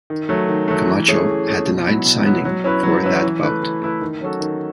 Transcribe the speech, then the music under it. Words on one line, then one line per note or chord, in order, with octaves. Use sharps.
Camacho had denied signing for that bout.
D#3
F#3 A3
D#3
F#3 A3
E3
A3 C#4 G#4
E3
A3 C#4 G#4
B2
F#3 B3 E4
B2
F#3 B3 E4
F#3
C#4 E4 B4
F#3
C#4 E4 B4
E3
A3 E4 B4
E3
A3 E4 B4
D#3
F#3 C#4 F#4 A4
D#3